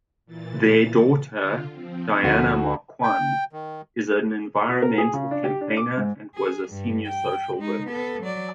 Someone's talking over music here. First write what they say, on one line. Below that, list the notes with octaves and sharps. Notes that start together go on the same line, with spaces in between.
Their daughter Diana Marquand is an environmental campaigner and was a senior social worker.
A#2 E3 A6
D3 F4
F3 C4
D2 D3 F#4
G5
D#3
F#4
A#4
G#4
C#3
D4
G4
D4
D6
G#2
G#4
G2
G5
G#3 D#4
B3 A4
F#3 D5